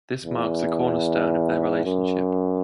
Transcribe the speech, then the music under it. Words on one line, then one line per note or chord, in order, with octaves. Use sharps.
This marks a cornerstone of their relationship.
E2
F#2